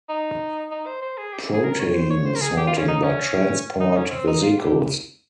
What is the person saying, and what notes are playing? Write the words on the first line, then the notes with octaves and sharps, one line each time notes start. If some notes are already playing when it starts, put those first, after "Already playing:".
Protein sorting by transport vesicles.
D#4
D#4
C5
C5
G#4
G4
G#4
A#4
C#5
C5
C#5
C5
A#4
G#4
G4
F4
C#4
D#4
C#4
D#4
D#4
C#4
C4
D#4
F4
G4